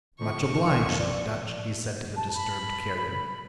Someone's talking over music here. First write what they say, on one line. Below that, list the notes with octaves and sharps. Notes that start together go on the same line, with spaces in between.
"Much obliged, Dutch," he said to the disturbed carrier.
F2 D3 D#3 G#3 C#6
A#1 D#2
A#1 F3 D5 D6
A5
B5
B5